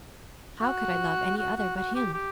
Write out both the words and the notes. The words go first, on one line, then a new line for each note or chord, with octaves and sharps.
How could I love any other but him?
F#4
F#4
F#4
F#4
G4
G4